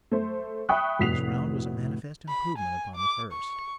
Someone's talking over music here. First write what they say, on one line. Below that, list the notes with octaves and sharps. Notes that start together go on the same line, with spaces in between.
This round was a manifest improvement upon the first.
A3 C5
E5 G5 B5 C#6 D#6 F#6
F1 A2 F#4 B6 C7 F7
B5
G#5
D6
C#6